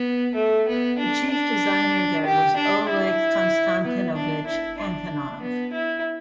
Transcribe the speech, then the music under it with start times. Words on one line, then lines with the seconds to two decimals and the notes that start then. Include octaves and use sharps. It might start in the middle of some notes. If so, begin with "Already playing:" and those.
The chief designer there was Oleg Konstantinovich Antonov.
Already playing: B3
0.35 A3
0.67 B3
0.98 D4
1.30 D4
2.25 G4
2.56 D4
2.88 E4
3.84 B3
4.15 D4
4.46 E4
4.78 D4
5.41 B3
5.73 E4